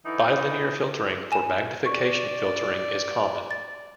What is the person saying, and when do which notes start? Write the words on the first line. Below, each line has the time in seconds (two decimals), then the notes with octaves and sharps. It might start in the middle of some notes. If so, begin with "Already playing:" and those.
Bilinear filtering for magnification filtering is common.
0.04 D3 E3 D#4 E4
1.32 G#5 E7
1.86 D5 C#6
3.51 A6